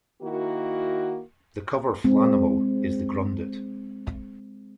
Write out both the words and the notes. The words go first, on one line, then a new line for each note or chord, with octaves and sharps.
The cover Flanimal is the Grundit.
D#3 A#3 E4 F#4
G#3 C4